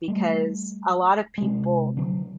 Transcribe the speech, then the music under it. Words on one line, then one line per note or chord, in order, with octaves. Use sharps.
because a lot of people,
G3 A3
C3 G#3
D3 F#3